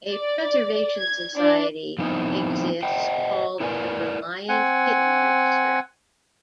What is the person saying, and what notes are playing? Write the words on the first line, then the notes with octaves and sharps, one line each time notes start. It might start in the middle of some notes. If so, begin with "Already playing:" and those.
A "Preservation Society" exists called the Reliant Kitten Register.
D5
G#6
D4 D5
F3 B3 C4 D#4 E4
C5 D#5 F#5 G5
E4 A#4 B4 D5 G#5
C4 F#5 G#5